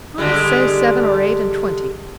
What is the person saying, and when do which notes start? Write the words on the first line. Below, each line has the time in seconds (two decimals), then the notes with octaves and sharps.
I say, seven or eight and twenty.
0.18 D3 G3 G#3